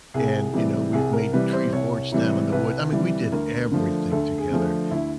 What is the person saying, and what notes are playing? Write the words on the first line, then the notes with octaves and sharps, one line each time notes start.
and, you know, we've made tree forts down in the wood I mean, we did everything together,
C2 G#4
C3 E3 G3
C2 G#4
A#4
C3 E3 G3 B4
C5
C2 C#5
C3 E3 G3
C2 B4
C3 E3 G3
D2 A#4
D3 F3 A3
D2 A4
G#4
D3 F3 A3
D2 E4